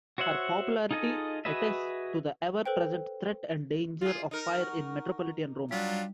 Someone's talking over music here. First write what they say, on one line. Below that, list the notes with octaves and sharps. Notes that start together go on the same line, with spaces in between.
Her popularity attests to the ever-present threat and danger of fire in metropolitan Rome.
F#4 C5 C#5 E5 F#5
D#4 F4 G#4 A4 D#5
F#4 G#4 B4 D#5 E5
A4 B4 C5 G5
F4 G#4
D#4 A#4
F#5 C#6
F#3 G3 D4 F4